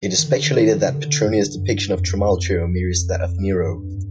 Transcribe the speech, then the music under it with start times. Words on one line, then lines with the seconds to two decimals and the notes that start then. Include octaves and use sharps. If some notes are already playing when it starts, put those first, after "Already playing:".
It is speculated that Petronius' depiction of Trimalchio mirrors that of Nero.
0.18 D#3
0.25 D3
0.59 D#3
0.87 C3
0.94 D3
1.27 G2
1.62 G2
1.95 F2
3.54 F2
3.64 G2